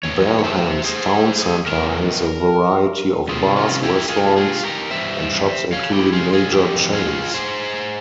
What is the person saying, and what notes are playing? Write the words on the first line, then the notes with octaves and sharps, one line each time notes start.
Balham's town centre has a variety of bars, restaurants and shops including major chains.
E2 E3 C#5
C#5
C5 E5
G#4 C5
E2 E3 A#4
E2 C3 G3 F4 G#4
C#4 F4
E4 G4
F4 G#4
F4 G#4
G4 A#4
G2 E3 G3 C5 E5
C#5 F5
E4 G4
F4 G#4
F4 G#4
F2 E3 G4
F4 G#4
G#4 C5